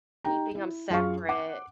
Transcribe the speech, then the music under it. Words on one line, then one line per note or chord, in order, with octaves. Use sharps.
Keeping 'em separate.
D#4 G4 G5 A#5
E4
F#2 F4 G#4 F5 C#6
F#5 D6